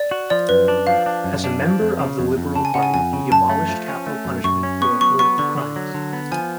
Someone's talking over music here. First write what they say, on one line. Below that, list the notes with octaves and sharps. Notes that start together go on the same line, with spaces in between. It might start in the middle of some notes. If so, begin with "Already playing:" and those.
As a member of the Liberal Party, he abolished capital punishment for political crimes.
Already playing: D5
F#4
F3 D5
F#2 B4
D4
F3 F5
D4
F#2
D4
F3
F2
C#3
F2
F2
C#3 A5
G#5
C#3 F#5
G#5
F2 G#5
C#3
F#2 A5
A3
F3
C#4
A3
F#2
F#2 C#6
C#4
B3 C#6
F#3 C#6
B3 C#6
D3 C#6
D3
F#3
D3
B3
F3 G#5